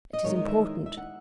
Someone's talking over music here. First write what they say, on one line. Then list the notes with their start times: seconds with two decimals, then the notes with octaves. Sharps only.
It is important.
0.13 D#5
0.24 E2 D#3 G#3 D#4 C#5
0.36 D#5
0.48 E5
0.86 E5
0.97 F#5